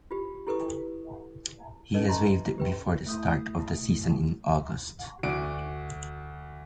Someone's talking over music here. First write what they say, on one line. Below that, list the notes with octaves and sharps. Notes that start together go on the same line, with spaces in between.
He was waived before the start of the season in August.
F4 G4
E4 G4 A4 B4 C#6 D#6
C#4 D#4 A4 B4 D#5
D#5 E5 A5 A#5 C6 C#6
G4 B4 G5
A3 E4 D#6 G6
D2 F#4 D5 D7